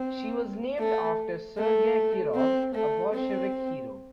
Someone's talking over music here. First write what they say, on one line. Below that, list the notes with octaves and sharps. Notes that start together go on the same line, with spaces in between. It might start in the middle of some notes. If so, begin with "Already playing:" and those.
She was named after Sergey Kirov, a Bolshevik hero.
Already playing: C4
A3
A3
C4
A3
C4